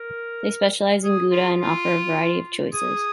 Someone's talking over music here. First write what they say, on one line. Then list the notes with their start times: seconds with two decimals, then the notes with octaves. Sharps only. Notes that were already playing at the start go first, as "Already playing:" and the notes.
They specialize in Gouda and offer a variety of choices.
Already playing: A#4
1.03 G#4
1.31 F4
1.60 F4
2.73 G#4